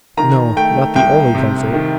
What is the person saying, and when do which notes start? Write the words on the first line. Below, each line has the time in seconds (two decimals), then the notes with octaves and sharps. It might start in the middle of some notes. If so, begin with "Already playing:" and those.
No; not the only comfort.
0.17 D#3 A#5
0.56 A3 G5
0.95 C2 G5
1.35 C3
1.73 D#3